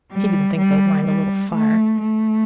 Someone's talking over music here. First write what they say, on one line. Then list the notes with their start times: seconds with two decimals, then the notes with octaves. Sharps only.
He didn't think they'd mind a little fire.
0.12 G3
0.58 G3
1.06 G3
1.53 A3
2.01 A3